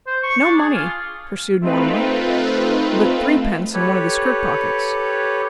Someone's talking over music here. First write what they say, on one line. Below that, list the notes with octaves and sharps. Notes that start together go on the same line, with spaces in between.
'No money,' pursued Mortimer; 'but threepence in one of the skirt-pockets.'
C5
C#6
D4
G#4
F4
A3 C4 D#4 F4 B4
G4 A4 B4 C#5